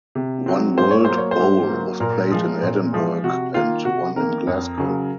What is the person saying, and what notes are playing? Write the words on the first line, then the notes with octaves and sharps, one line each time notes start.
One World Bowl was played in Edinburgh and one in Glasgow.
C3
F#3 C4
G#2 C5
C#5
F#3 A#3 C5
C#5
C5
G#2
F#3 A#3
A#2 A#4
F3 G#3
A#2
F3 G#3
C3 F#4
D#3 A#3 F4
C3 F#4
D#3 A#3 A#4
F2
C#3 F#3